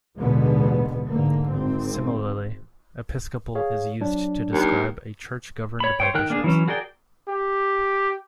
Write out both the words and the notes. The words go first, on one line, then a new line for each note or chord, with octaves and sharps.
Similarly, "episcopal" is used to describe a church governed by bishops.
A1 D#2 B2 D3 G#3 B3
G#2 D3 A#3
G#1 C4
G#4 C#5 F5
F#3 D4
D#2
C#5 B5
C5 C#5 G5
D#3 A#4 G5 F#6
A#3 D4 G#4
E3 F#3 C#4
F#4 G#4 A#4 D5 G5
G4